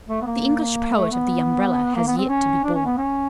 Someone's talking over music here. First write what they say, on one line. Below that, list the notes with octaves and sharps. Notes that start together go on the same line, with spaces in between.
The English poet of the Umbrella has yet to be born.
A3
B3
A#3
A3
B3
A#3
B3
C4
C#4
D4
C#4
B3
C#4